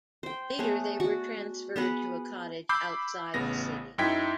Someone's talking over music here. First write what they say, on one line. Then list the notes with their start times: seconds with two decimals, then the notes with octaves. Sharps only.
Later they were transferred to a cottage outside the city.
0.23 C5 G5
0.59 A3 B3 G#4 C#5
1.00 F#4 D5 C#6
1.76 B3 G#4 B4 F#5
2.69 B5 D6 E6 G6 C7
3.34 A1 C#3 B3 A#6
3.98 F#2 D#4 E4 G5 G#6 B6